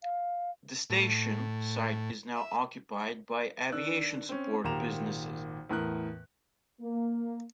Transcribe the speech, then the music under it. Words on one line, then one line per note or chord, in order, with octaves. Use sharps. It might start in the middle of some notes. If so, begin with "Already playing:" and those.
The station site is now occupied by aviation support businesses.
F5
A2
E5
D#3 D4 E6 F#6
C4 C#4
G#1 A#2 G4 A#5 E7 F7
E2 A2 A#4 F#6
A#3